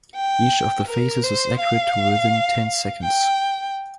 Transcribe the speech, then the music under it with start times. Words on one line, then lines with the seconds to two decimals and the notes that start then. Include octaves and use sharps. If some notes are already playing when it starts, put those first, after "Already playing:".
Each of the faces is accurate to within ten seconds.
0.16 G5
0.88 A#4
1.24 C5
1.60 F5
3.03 G5